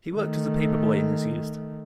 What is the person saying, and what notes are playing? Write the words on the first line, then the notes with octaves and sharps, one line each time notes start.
He worked as a paperboy in his youth.
D#3 A3